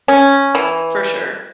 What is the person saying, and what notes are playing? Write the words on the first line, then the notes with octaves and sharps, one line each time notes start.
For sure.
C#4
E3